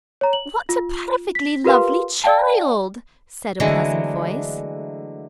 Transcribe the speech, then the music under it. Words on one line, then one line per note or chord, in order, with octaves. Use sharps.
"What a perfectly lovely child!" said a pleasant voice.
C#5 A#5
F#7
F4
B6
F4 G4 A#4 B4 F5 C6
D5 F5 G5 A5
D3 E3 F#3 G#3 A3